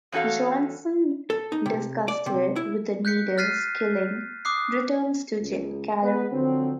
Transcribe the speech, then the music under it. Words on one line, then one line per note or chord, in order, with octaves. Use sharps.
Johnson, disgusted with the needless killing, returns to Caleb.
E2 C#4 F#4 A4 F5
A4
D#4
C3
D5
C3
E4
F#6 G6 B6 C#7
F6 F#6 A6 B6 C7 D#7
D6 D#6 F#6 C7
C#2
G#3 B3 B4
D3 F3 F#3 C4